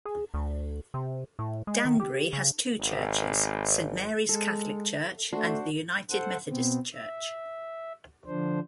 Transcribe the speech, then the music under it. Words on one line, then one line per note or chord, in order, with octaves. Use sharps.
Danbury has two churches, Saint Mary's Catholic Church and the United Methodist Church.
G#4
D2
C3
A2
G#3
D#3
G4
C#3
G#1
G#3 A4
A3 D4 F#4 C5
A4 C5 F#5
B2 B3 C4
E5
D3 F3 D4 C5